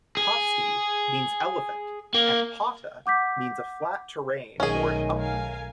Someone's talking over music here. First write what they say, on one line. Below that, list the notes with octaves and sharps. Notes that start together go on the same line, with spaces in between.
'Hasti' means elephant and 'Potta' means a flat terrain or an upland.
G#4
A#3
F#5 D6 G6 B6
B1 D#3 A3 C#4 G#4 A#4 D#5 G#5
A#4 F5 G#5